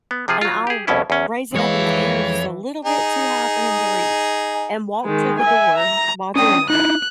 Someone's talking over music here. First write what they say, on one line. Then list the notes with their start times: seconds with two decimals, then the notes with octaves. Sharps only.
and I'll raise it up in the air just a little bit too high for him to reach and walk to the door while doing that,
0.11 B3
0.28 C3 F3 F4 G#4
0.41 F#3 F4
0.67 G4 G#4
0.87 C2 F2 B2 C#4 E4
1.10 E2 C#4
1.55 F2 E3 G#3 C#5 F5
2.85 D#4 G#4
5.05 D#3 G#3
5.39 E5 G#5
5.78 A#5
6.36 C#4 D4 G5 D#6
6.70 D#4 E4 F#6